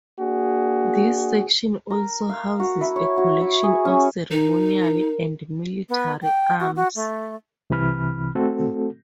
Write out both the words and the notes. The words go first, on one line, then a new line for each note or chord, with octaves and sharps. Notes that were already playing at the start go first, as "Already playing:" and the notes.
This section also houses a collection of ceremonial and military arms.
A#3 D4 F#4 G#4
A#4
F5
F#4
E4
C#5
F#4
E4
G#4
C#4
D#4 A#4
B3
G5
F#4
F#4
A3
C2 C3 E3 B5 F6
A3 C4 F#4 A4